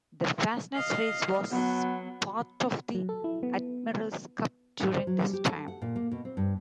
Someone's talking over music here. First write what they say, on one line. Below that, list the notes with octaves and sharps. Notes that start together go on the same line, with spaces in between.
The Fastnet race was part of the Admiral's Cup during this time.
D#5 F5
F#3 B3
F#3
A4
E4
B3
A2
C5
F#3
G3
G4
A4
F#5
A#2
A#3
B2
C4
G2